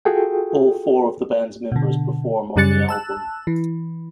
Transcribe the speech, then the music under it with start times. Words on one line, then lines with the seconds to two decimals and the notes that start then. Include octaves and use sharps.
All four of the band's members perform on the album.
0.05 F4 F#4 G#4 A4 G5
1.72 B2 D3
2.56 F#2 C#3 G3 F#6 A6 C#7
2.89 A5 E6 F#6
3.47 E3